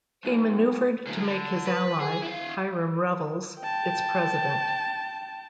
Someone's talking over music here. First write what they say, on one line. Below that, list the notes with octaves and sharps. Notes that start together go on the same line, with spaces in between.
He maneuvered to make his ally, Hiram Revels, its president.
B1
D3 F#3
D3
B4
G#4
E4 F5
G5 A5